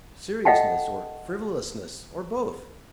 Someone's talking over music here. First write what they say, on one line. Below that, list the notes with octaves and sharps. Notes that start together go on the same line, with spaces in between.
Seriousness or frivolousness or both.
A4 D#5 E5 F#5 G5 A5